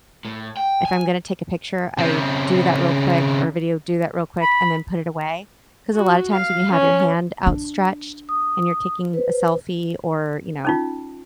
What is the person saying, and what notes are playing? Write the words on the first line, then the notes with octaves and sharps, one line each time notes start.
if I'm gonna take a picture, I do that real quick, or a video, do that real quick, and then put it away, 'cause a lotta times when you have your hand outstretched and you're taking a selfie, or, you know,
A2
G5
G#5
C#3 C4
B5
F#4
F5
C#4
D4
D#6
B4 C5
C#4 D#4 F4